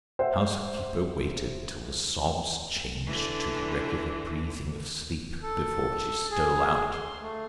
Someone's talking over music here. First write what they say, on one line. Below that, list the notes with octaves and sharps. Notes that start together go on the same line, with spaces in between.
The housekeeper waited till the sobs changed to the regular breathing of sleep before she stole out.
C5 E5 F#5
D3 E3
A4
G#4
C6
A3